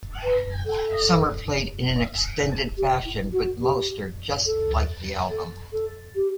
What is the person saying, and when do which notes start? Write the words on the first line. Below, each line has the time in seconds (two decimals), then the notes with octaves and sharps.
Some are played in an extended fashion, but most are just like the album.
0.23 B4
0.66 A4
2.77 G4
3.05 E4
3.33 F#4
3.62 G4
4.46 A4
5.30 A4
5.72 A4
6.15 G4